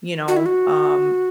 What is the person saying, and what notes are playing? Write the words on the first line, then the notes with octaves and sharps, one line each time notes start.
you know, um,
F#4
E4
F#4